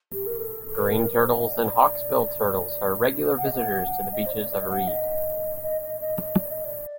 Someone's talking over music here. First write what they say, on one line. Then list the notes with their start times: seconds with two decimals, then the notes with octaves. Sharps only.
Green turtles and hawksbill turtles are regular visitors to the beaches of Aride.
0.12 G4
0.26 A#4
0.37 A4
0.75 A#4
1.12 C5
1.28 F#5
1.39 D#5
1.49 D5
3.37 F#5
3.45 D#5
3.53 F#5
4.12 D#5
4.26 C5
4.31 D5
4.50 D5
4.62 D#5
4.69 F#5
4.87 D#5
5.63 D#5
5.81 D#5
6.00 D#5
6.18 D#5
6.37 D5
6.50 D#5
6.64 D5